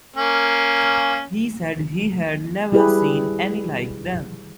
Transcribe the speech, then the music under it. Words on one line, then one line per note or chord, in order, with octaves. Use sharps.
He said he had never seen any like them.
A#3 C#4
G3 E4 G4 G#4 B4